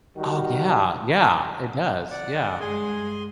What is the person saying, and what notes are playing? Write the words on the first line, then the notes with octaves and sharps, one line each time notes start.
Oh, yeah, yeah, it does, yeah.
D#3 G3 F#4
D5 F#5
G2 G#3 G#4 G#5 C6